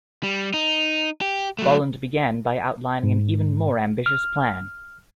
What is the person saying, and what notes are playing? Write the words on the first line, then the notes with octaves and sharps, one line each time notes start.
Bolland began by outlining an even more ambitious plan.
G3
D#4
G4
F#3 A3
G#2
F6